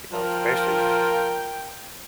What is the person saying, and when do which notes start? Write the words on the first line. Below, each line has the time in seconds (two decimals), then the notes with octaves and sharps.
You know, especially s
0.13 F3 F4 A#4 G5